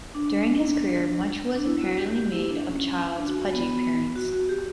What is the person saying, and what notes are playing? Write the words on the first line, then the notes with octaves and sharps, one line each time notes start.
During his career, much was apparently made of Childs' pudgy appearance.
D4
D4
E4
F#4
G4
G4
E4
D4
C#4
D4
F#4
F#4
B3
F#4
F#4
G4